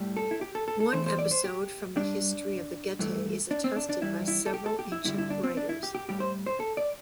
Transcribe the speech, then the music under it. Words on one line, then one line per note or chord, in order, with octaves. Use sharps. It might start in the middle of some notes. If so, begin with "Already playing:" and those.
One episode from the history of the Getae is attested by several ancient writers.
Already playing: A2 G3
A4
E4
G4
A4
A4
A4
E2 E3 A3 C5
C5
D5
C5
G4
G2 G3 D4
G2 E3 A3
D4
C4
D4
D4
G2 E3 G3 E4
E4
A4
G4
A4
G4
E4
G2 D3 G3 E4
E4
D4
C4
D4
E4
G4
G4
A2 G3 G4
C5
C5
A4
D5